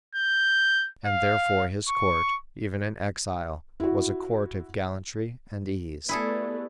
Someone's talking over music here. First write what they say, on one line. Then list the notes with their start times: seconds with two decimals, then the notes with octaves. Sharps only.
And therefore his court, even in exile, was a court of gallantry and ease.
0.15 G6
1.06 F5
1.88 C#6
3.80 E4 F#4
6.09 G3 A3 B3 E4 G#4 A4